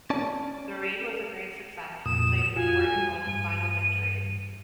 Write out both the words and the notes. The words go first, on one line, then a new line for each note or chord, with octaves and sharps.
The raid was a great success, and played an important role in final victory.
C#4 D5 A5
F2 A#2 D#6 E7
F2 F4 F#4 G#5
G3
G2 D#7